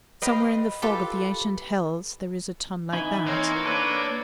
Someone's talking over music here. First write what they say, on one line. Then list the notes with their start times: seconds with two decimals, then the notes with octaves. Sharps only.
Somewhere in the fog of the ancient hells, there is a tun like that.
0.22 B4 D#5 F5 G5 C6
0.82 F4 G4 A4 B4
2.93 E3 D#4 E4 G#5
3.27 A#3 C4 C#5 F5
3.65 D4 A4 B4